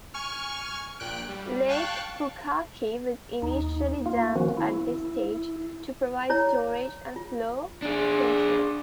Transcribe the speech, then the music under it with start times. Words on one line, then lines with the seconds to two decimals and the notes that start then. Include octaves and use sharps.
Lake Pukaki was initially dammed at this stage to provide storage and flow control.
0.14 G#5 C#6 F6
1.00 A#1 A#2 G5 F#6 D7
1.29 G3
1.69 F5 G5 A5 C#6 F#6
3.42 D#2 D#4
4.06 A#3 F4
4.35 D#3 F3 A#3 B3 C#4 F#4
4.57 E4
6.30 E4 C#5 A#5
7.16 F4
7.82 D4 G#4